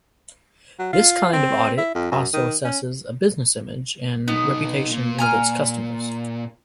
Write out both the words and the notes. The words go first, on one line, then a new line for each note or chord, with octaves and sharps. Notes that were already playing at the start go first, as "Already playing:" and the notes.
This kind of audit also assesses a business' image and reputation with its customers.
F#3
F4
C4
E4
F2
F#2
D#3
C#4
B2 B3 D#4
A#2
G#5 A#5 F6